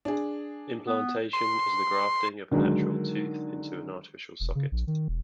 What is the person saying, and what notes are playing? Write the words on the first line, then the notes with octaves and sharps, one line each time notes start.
Implantation is the grafting of a natural tooth into an artificial socket.
D4 G#4
B3
C6
D3 D#3 F#3 G#3
E1
C#3
A#1
D#3
E1